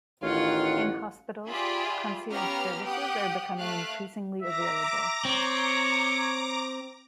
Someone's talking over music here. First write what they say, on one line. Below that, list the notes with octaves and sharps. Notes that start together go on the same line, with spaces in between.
In hospitals, concierge services are becoming increasingly available.
A1 D#3 F4 C#5 F5 F#5
F4 G4 G#4 D5 E5 B5
B3 C#4 G4 F5 A#5 F6
G4 F#5 G5 D#6
A3 F5 F#6
E5 A#5 D6 A#6
C4 C#5